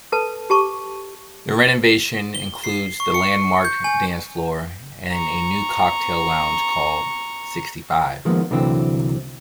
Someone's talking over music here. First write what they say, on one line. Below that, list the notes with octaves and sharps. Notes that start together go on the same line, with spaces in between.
The renovation includes the landmarked dance floor and a new cocktail lounge called SixtyFive.
A4 B4 A5
G4 A5 C#6 D6
G7
C7
C#6
C#7
G6
G#5
A#5 C#6
D#3 F3 G#3 A#3 B3
C2 D3 E3 F#3 A3 C4